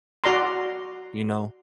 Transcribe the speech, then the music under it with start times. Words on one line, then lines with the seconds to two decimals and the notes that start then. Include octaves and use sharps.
You know?
0.24 F#4 D5 A#5 C6